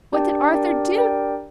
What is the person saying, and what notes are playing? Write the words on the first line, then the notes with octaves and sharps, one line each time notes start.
What did Arthur do?
D4 G4 A#4 D5 G5
D4 G4 A#4 D5 G5
D4 G4 A#4 D5 G5